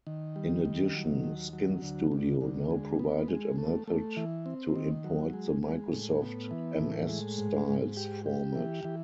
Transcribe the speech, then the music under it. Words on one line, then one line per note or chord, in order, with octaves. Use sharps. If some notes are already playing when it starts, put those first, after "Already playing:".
In addition, SkinStudio now provided a method to import the Microsoft "msstyles" format.
D#3
G3
D#3
F#3
D#2
F#3
D2
D2
D2
G#3
B3
G#3
A3
A3
E3
C4
D#3
F#3
G#3
G#3
A2
B3
E3
A2
G#3
G#2
G#2
G4
G4
E3
E3